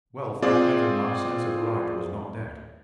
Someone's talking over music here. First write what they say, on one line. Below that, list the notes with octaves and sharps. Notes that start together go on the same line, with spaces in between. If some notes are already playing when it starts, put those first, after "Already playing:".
Well, thank Heaven! my sense of right was not dead.
C4 F4 G#4 D5